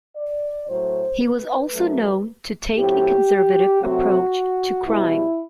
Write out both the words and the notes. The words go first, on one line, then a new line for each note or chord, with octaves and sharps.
He was also known to take a conservative approach to crime.
D5
A2 F#3 A3 C5
B4
F#2 F#3 A3
A2 F#3 C4 G4
C3 F#3 A3 C4 F#4
B2 G3 B3 E4